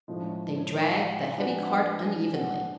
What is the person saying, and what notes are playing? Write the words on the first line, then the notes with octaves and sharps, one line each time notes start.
They dragged the heavy cart unevenly.
A2 F3 G#3 C#4
D4
C#4
D4
C#5
D5
F5
F#5
G#5
F3 G#3 D4 F#4 B4 F#5
G#5
F#5
G#5
G#5
F#5